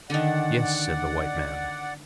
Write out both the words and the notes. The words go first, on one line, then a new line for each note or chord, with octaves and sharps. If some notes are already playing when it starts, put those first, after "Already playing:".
"Yes," said the white man.
D3 D#3 D5 F#5